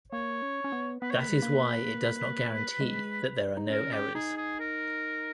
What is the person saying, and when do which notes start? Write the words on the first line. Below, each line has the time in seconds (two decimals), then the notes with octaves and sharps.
That is why it does not guarantee that there are no errors.
0.12 A#3 C#5
0.42 C#4
0.64 C#4
0.72 B3
1.02 B3 B4
1.10 C#5
1.15 A#3
1.20 B4
1.29 G#3
1.42 A#3
2.81 G#3
3.57 D#4
3.70 C#4 A#4
3.92 G4
4.15 D#4 G#4
4.37 G#4
4.60 A#4